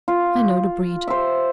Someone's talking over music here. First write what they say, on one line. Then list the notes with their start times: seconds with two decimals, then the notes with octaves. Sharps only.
I know the breed.
0.08 F4
1.08 C5 E5